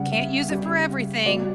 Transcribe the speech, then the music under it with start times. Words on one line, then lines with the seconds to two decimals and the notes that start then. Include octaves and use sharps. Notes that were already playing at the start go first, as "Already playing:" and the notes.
Can't use it for everything
Already playing: C#3 G3 F#5
0.12 E5
0.50 C#3 G3
1.26 B2 G3 D5